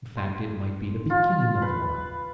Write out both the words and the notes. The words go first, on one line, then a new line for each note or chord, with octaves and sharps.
In fact, it might be the beginning of one.
C6
F4
B4